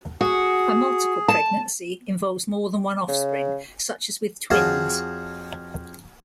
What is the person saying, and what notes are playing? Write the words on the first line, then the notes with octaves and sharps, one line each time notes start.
A multiple pregnancy involves more than one offspring, such as with twins.
F#4 G#4
A5
C#3
F2 F#4 G#4 C#5 F5 A5